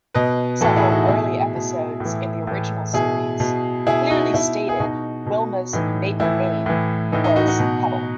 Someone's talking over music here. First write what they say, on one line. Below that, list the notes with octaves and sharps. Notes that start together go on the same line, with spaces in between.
Several early episodes in the original series clearly stated Wilma's maiden name was Pebble.
B2 B4 D#5
A2 E3 F#4 A4
E4 G#4
D#4 F#4
B2 E4 G#4
B2
A2 E3
A2 E3
B2 E4 G#4
B2
B2 E4 G#4
D#4 F#4
B2 E4
E4 G#4
B2 D#4 F#4
B2
A2 E3 D#4
A2 E3 E4
A2 E3
A2 E3 D#4
D#4
D#4 F#4
D#4 F#4
B2